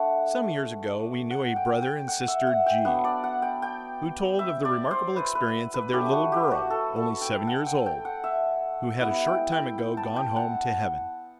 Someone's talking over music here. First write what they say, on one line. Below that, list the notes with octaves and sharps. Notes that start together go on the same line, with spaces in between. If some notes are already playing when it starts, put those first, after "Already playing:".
Some years ago we knew a Brother and Sister G----, who told of the remarkable experience of their little girl, only seven years old, who had a short time ago gone home to heaven.
Already playing: A3 D4 F#5
F#5
G5
G5
F#5
E5
F#5
G5
F#3 B3 D4 F#5
D5
F#5
G5
G5
E5
D5
C5
B4
B4
B4
F#3 A3 D4 G4
F#4
G4
F#4
A4
A4
G5
F#5
G5
G5
F#5
E5
G3 B3 E4 F#5
G5
G5
G5
A5
G5
F#5